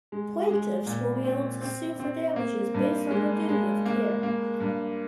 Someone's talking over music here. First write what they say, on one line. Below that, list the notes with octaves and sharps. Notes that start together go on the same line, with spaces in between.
Plaintiffs will be able to sue for damages based on the duty of care.
G#3
G#3
A#2
C4
C4
C4
A#3
G2
G#3
G#3
A#3
A#3
G2